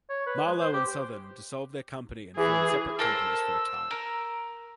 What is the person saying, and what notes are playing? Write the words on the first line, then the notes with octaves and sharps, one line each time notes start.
Marlowe and Sothern dissolved their company and formed separate companies for a time.
C#5
B4
G#3
C5
G4
E3 G#4
A4 A#4 C5 E6
A#4